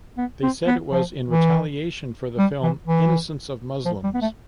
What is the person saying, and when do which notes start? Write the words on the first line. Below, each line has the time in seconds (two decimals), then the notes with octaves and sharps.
They said it was in retaliation for the film "Innocence of Muslims".
0.17 B3
0.42 C4
0.67 B3
0.91 F3
1.28 E3
2.38 G3
2.63 E3
2.87 E3
3.85 F3
4.03 G3
4.14 B3
4.21 A3